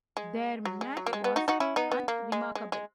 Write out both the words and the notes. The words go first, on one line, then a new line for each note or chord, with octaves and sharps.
Their match was unremarkable.
G#3
F#3
G#3
F#3
A#3
G#3
B3
D#4 F#4
D#4 F#4
C#4 E4
B3 D#4
B3
A#3
G#3
G#3
G#3